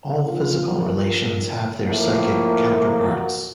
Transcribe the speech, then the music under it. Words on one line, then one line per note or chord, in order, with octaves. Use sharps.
All physical relations have their psychic counterparts.
A#2 F3 A#3 F4
A2 F3 A#3
F4
F#4